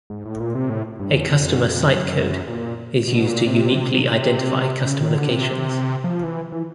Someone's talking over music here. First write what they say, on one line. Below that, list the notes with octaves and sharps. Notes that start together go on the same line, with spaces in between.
A Customer Site code is used to uniquely identify customer locations.
G#2
A2
A#2
C3
A2
G2
E2
F2
F2
F#2
F2
F#2
A#2
B2
A#2
C3
C#3
D#3
D3
C3
F3
E3
E3